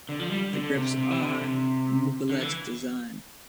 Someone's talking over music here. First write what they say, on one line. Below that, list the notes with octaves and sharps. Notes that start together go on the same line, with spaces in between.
The grips are Miculek's design.
D3
F3
G3
D3
C3
C3
E3
D3
C3
D3
E3